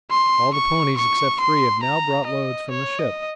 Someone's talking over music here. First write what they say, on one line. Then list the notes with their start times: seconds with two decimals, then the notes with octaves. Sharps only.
All the ponies except three have now brought loads from the ship.
0.11 C6
0.55 C#6
0.98 C#6
1.41 C6
1.84 A#5
2.27 D#5
2.71 C#5
2.99 D#5